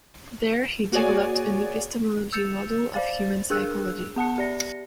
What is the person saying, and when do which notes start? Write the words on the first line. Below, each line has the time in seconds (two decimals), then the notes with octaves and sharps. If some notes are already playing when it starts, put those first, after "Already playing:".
There he developed an epistemology model of human psychology.
0.92 A#3 F#4 G#4 C#5 D5 G#5
2.33 E6 G6 A6 C#7 E7 F7
2.94 C5 D5 F5 A6
3.50 D4 G#4 A#4 E6 F#6
4.16 B3 F#5 A5 C#7
4.38 G4 D5 A#6 C#7